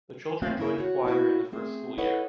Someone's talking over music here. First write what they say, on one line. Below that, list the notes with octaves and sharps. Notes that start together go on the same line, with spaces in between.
The children join the choir in the first school year.
A3 A#3 C4 C#4 C#5 F5
A#3 C#4 E4 A#4 E5
F#4 C#5
A#3 E4 F#4
A3 C4 G#4
E4 A4 B4 C#5 D#5 F#5